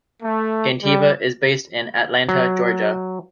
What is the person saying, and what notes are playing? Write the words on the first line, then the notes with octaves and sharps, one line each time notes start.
Gentiva is based in Atlanta, Georgia.
A3
G3
F#3